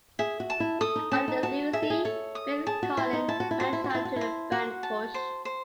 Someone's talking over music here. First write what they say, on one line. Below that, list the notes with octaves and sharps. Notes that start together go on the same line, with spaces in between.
After Lucy, Phil Collen went on to the band Tush.
G#4 E5
F#4
A5
E4
A4 D#6
D#4
C#4 A5
D#4
F#4 A5
G#4 E5
A4
G#4
A4 C#5
D#6
G#4 A5
F#4
E4 C5
D#4
E4 A5
F#4
E4
F#4 C5
E4
F#4
E4 A5
F#4
E4 C5
F#4 F#5
A5
C5
C5